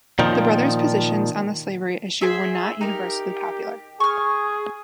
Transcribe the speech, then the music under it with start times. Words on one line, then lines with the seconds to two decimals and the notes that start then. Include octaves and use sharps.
The brothers' positions on the slavery issue were not universally popular.
0.19 A#2 D#3 F3
2.21 G#4 C5 E5
2.81 D#4 G4 A#4
4.00 G#4 C#6 F6